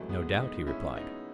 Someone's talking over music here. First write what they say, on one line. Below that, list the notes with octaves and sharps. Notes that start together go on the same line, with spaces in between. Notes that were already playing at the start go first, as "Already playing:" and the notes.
No doubt, he replied.
Already playing: G#1 G#2 E3 F#3 A3
G#3 B3
B3 D#4
C#4 E4
B3 D#4